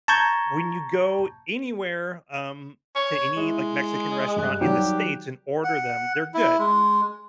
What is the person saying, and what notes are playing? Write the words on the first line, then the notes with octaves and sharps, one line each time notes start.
when you go anywhere, um, to any, like, Mexican restaurant in the States, and order them they're good,
A5 A#5 C#6 G6 G#6
C#5
G#3 E4
G2 F#6
D#3 F#3 G3 G4
F#5
E4
G#3